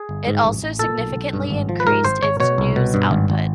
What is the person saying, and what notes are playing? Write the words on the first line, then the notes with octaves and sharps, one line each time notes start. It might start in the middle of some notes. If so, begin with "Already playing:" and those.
It also significantly increased its news output.
Already playing: G#4
G1
G#2
A1
A1
A#2 A4
B1
B1
G2
G#1
F3
B4
G#2 A#4
G#1 C5
G#1 C#5
B2 C#5
C2
B2
G2
G#1
G#1